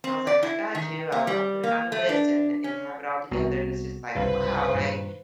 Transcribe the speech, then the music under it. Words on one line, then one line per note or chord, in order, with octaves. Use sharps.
I was like, “I got you. I'll I'll put it on the list and and have it all together,” and it's just like, "Wow," like,
C4
D5
E4
D#3
A#3
G3
A#3
A3
D4
C#4
C2 B3 F#4
G1 C2 C#3 B4 C5 F5
G2 A#2 D#3